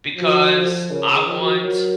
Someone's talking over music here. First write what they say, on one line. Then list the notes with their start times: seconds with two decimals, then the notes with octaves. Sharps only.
because I want"
0.17 F3 F#4
0.54 F3
0.90 C#3 A#4
1.14 G#4
1.26 F3
1.39 F#4
1.62 F#3 A#4